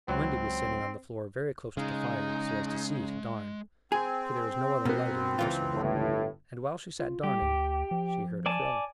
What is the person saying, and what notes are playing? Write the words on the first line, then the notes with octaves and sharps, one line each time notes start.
Wendy was sitting on the floor, very close to the fire, so as to see to darn, for there was no other light in the nursery; and while she sat darning she heard a crow.
C#2 F#3 C4
C#3 G#3 D#4
C4 G#4 G#5
B2 A#3 B3
C#2 E3 F4
G1 A2
F4
G3 G4
D2
F3
D5 G#5 A5